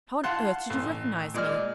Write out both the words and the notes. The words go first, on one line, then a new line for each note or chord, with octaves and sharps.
How on earth did you recognise me?'
F5 F#5 A5 C6 F#6
A1
A#2 G#3 D5 F6